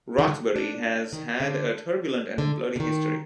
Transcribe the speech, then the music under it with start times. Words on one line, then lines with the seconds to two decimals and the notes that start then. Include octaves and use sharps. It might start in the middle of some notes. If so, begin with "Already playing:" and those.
Rothbury has had a turbulent and bloody history.
0.19 D#3
0.28 D3
0.56 D4
1.13 D#3
1.40 D3
2.38 D3
2.76 D3
2.80 D#3